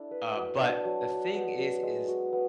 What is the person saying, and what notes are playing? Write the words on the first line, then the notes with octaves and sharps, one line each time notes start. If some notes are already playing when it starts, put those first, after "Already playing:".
uh, but the thing is is
Already playing: D4 E4 A4
B4
F#4
D4
F#3
D4
B3
F#3
G#3
F#4
B3